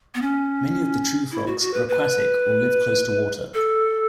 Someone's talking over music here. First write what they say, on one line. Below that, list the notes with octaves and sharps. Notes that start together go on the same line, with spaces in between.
Many of the true frogs are aquatic or live close to water.
B3
C#4
E4
F#4
F#4
B4
B4
A4